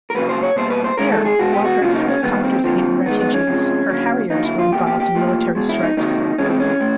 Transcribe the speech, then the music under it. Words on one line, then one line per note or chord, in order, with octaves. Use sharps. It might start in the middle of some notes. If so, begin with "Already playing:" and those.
There, while her helicopters aided refugees, her Harriers were involved in military strikes.
A#4
C#3 F#3 A#3 B4
C5
C#5
B2 G3 A#3 C5
B4
C5
D#3 G#3 A#4
A4
G#4
B2 G#3 F#4
G4
F#4
C#3 F#3 A#3 F4
D#4
C#4
D#3 G3 A#3 B3
C4
D3 F3 A#3 C4
D#3 G#3 B3
B3
C#4
C3 F3 G#3
D3 F#3 A#3
D3 F#3 A#3 D#4
E4
F4
B2 G3 A#3 G4
G4
G4
A2 F3 A#3
B2 G#3
E4
D#4
C3 D#3 F#3 A#3 D#4
C3 E3 G#3 C#4
C4
C#4
A2